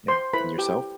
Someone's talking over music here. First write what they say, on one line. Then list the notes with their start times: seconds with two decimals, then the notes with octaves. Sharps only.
Yeah, and yourself?
0.08 C5 C6
0.34 E4 A4 B4 C5 B5
0.58 G4 G5